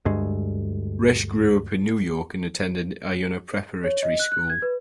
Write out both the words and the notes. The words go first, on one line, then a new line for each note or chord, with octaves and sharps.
Resh grew up in New York and attended Iona Preparatory School.
D2 G2 G#3
C#5
D#5
F#6
F#6
G#6
B4